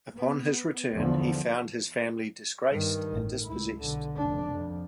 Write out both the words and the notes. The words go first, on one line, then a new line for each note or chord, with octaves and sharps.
Upon his return, he found his family disgraced and dispossessed.
B3
E2 D3 F3
G2 D#3
A1
C#2 E4
B1 D3
F1 D4
F2